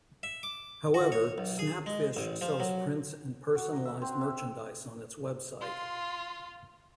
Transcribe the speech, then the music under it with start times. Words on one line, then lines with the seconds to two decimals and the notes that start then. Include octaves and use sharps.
However, Snapfish sells prints and personalized merchandise on its website.
0.23 E5
0.43 D6
0.94 F#4
1.12 C#5
1.38 B1
1.59 G#4
1.86 G#3
2.17 A1
2.41 F3
2.60 F#3
3.55 F#4
3.73 A#5
3.85 E5
4.02 C4
4.21 E5
5.61 F4 C6